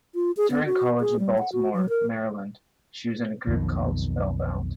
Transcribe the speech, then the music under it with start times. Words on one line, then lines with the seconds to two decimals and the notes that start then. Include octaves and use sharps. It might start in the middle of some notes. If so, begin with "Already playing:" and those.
During college in Baltimore, Maryland, she was in a group called Spellbound.
0.15 F4
0.37 G#4
0.51 B3
0.66 F#4
1.00 G#4
1.19 G3
1.38 F#5
1.52 F#4
1.74 F#3
1.89 A#4
3.47 B1 F2 B2 D#3